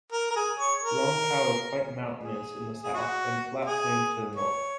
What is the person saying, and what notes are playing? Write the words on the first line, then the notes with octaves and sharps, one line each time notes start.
Longkou is quite mountainous in the south and flat plains to the north.
A#4
A#4
G#4
C#5
A#4
G#4
G#4
F#4
G#4
C#5